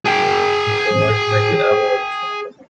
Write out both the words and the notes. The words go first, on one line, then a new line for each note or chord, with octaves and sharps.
Gold Medal Award.
G#4 G5